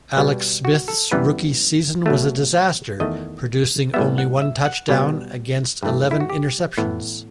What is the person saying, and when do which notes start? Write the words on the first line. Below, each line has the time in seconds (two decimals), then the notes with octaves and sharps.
Alex Smith's rookie season was a disaster, producing only one touchdown against eleven interceptions.
0.17 B2 G3 B3
0.65 F#4
0.88 A4
1.11 F#2 E3 G3 B3 B4
2.06 B2 F#3 A3
3.00 E2 D#3 A3 D#5
3.94 A2 G3 B3 E5
4.18 F#5
4.42 E5
4.65 F#5
4.89 B2 G3 B3
5.83 G2 E3 A3
6.11 E4
6.20 F#4
6.30 G4
6.78 A2 E3 B3